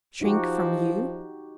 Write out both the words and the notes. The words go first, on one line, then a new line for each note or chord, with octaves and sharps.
"Shrink from YOU?"
F3 D#4 F#4 G4